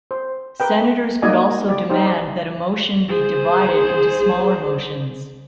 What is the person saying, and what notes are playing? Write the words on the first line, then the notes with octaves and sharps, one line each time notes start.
Senators could also demand that a motion be divided into smaller motions.
C5
A#4 B4 G5
A#3 D#4 F#4 D5 D#5 G#5
G4 D5
D#4 G4 C5
D5
G#4 C5